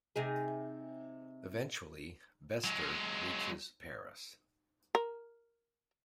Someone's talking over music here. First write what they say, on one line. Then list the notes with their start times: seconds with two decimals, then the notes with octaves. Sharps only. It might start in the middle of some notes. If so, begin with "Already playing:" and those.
Eventually, Bester reaches Paris.
0.16 C3 D#4 G#4
2.64 F#3 G#3
4.95 A#4